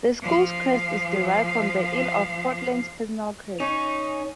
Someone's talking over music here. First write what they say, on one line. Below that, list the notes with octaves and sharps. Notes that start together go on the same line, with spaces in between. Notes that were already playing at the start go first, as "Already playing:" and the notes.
The school's crest is derived from the Earl of Portland's personal crest.
F3 F5
C#4 D#4